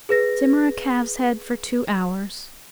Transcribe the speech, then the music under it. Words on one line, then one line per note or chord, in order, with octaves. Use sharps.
Simmer a calves' head for two hours.
G#4 B4 A#6